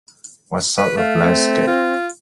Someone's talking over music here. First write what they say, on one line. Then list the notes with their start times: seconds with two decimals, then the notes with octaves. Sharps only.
What sort of landscape?
0.78 B4
0.97 A3 F5
1.24 C4
1.67 F4